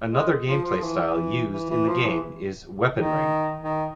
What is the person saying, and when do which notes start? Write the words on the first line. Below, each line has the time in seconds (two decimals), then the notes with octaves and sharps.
Another gameplay style used in the game is weponring.
0.11 G#3
0.47 F3
0.64 F3
0.82 E3
1.52 E3
1.70 E3
1.88 F3
2.05 E3
2.94 D#3
3.63 D#3